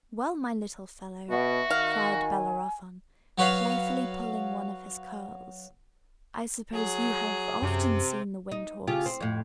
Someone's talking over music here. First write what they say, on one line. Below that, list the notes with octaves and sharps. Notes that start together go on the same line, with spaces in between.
"Well, my little fellow," cried Bellerophon, playfully pulling one of his curls, "I suppose you have often seen the winged horse."
B2 F#4 E5
D#3 F5
G#5
F#3 F#4 B4 C#5 F5
F#3 G#4
F#2 C3
D#4
C#3 F4 G4
C4
F2 A2